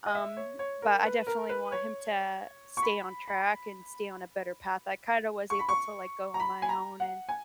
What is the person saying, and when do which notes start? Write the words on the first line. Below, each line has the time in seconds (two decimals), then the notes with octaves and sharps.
Um, but I definitely want him to stay on track and stay on a better path. I kind of was able to, like, go on my own and
0.06 D#5
0.15 E5
0.37 C#5
0.59 C#5
0.82 A#4
1.04 B4
1.27 A#4
1.49 B4
1.72 C#5
2.77 C#6
2.83 B5
3.28 B5
5.50 C#6
5.59 B5
5.69 C#6
6.34 A#5
6.40 B5
6.62 G#5
6.69 A#5
7.00 F#5
7.29 G#5